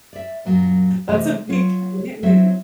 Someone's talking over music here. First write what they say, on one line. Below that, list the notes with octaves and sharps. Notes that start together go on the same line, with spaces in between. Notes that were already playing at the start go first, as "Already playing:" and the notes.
That's a big commitment.
D5 E5
F#2 A#2 F#3
C3 E3 G#3 A3
F#3 F4 C#5
F#3 C4 E4 B4 E5